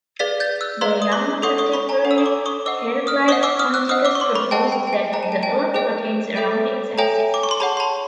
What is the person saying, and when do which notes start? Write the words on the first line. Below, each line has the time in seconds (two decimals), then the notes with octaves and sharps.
Their younger contemporary Heraclides Ponticus proposed that the Earth rotates around its axis.
0.19 G#4 B4 D5 F5 A6 B6
0.40 G6 A6
0.61 E6 F#6
0.81 G#4 B4 D5 F5 A#5 C6
1.02 D#6
1.12 C6 D6
1.42 A4 C#5 F#5 C#6 D#6
1.58 C#6 D#6
1.73 B5 C#6
1.89 G#5 A#5
2.05 A4 C#5 F#5
2.11 E6
2.18 D#6
2.25 C6 D6
2.46 C#6 D#6
2.66 C5 D#5 F#5 D6 E6
3.07 D#6 F6
3.28 C5 D#5 F#5 C#6 D#6
3.43 D6 E6
3.59 D#6 F6
3.74 E6 F#6
3.89 C5 D#5 F#5 D#6 F6
4.05 D6 E6
4.15 C#6
4.20 C6 D6
4.35 B5 C#6
4.51 C5 D#5 F#5 G5 A5
4.72 G5
4.87 G5
4.93 G#5
5.13 G#4 C5 D#5 G5 A#5
5.23 A5
5.32 G#5
5.43 G5 A5
5.74 G#4 C5 D#5 G5
6.36 A4 C#5 E5 G5
6.98 A4 C#5 E5 G5 G#5 A#5
7.34 D6
7.43 C#6
7.51 C6
7.60 G#4 C#5 F#5 A5 B5
7.77 C6
7.80 A5 B5